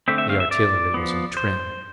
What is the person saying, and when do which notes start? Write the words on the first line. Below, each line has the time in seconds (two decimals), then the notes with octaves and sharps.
The artillery was in trim.
0.08 D3 A3 C4 E5
0.18 E5
0.30 F5
0.40 E5
0.51 D5
0.94 F3 B3
1.37 C5